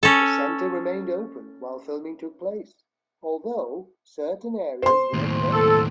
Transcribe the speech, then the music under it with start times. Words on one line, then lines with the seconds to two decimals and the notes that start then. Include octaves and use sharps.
The center remained open while filming took place, although certain areas were closed.
0.03 C#4 A4
4.82 C5 C6
5.13 D#2 A2
5.53 A4